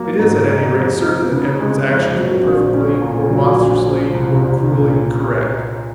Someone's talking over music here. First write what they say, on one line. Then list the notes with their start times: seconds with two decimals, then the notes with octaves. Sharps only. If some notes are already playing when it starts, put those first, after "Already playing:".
It is, at any rate, certain that Edward's actions were perfectly--were monstrously, were cruelly--correct.
Already playing: F#3 A#3
0.19 G#2
0.47 G#3
0.75 F2
1.03 D#4
1.31 C#3
1.60 G#3
1.89 F2
2.16 F#3
2.44 A#1
2.74 C#4
3.02 A#2
3.30 F#3
3.58 A#1
3.86 F3
4.14 C2
4.43 C2
4.72 A#2